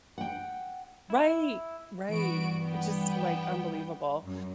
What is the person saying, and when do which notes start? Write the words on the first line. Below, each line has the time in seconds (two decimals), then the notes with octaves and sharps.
Right. Right, it just, like, unbelievable.
0.18 F#5 G5
1.10 E4
2.09 G2 E3 B3 F#4 D7
2.62 B3 G5
4.22 F#2